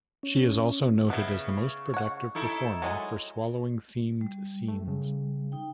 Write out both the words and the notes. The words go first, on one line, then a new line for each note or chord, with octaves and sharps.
She is also noted as the most productive performer for swallowing themed scenes.
C#4
C#3 B3 E4
C#5 F#5
D#4 E4 A4
F#3 G#3 G#5
G3
A3
C#3
D#4 G5